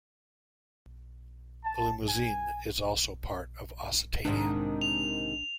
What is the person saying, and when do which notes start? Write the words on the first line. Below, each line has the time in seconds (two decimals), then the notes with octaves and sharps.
Limousin is also part of Occitania.
1.64 A5
2.08 G#5
4.25 G#2 C3 D#3 D4
4.81 F7